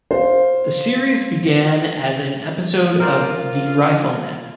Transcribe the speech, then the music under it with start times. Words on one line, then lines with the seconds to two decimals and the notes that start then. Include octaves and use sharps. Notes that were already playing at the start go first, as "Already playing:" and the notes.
The series began as an episode of "The Rifleman".
0.11 C5 F5
3.00 F4 A#4 C5 D5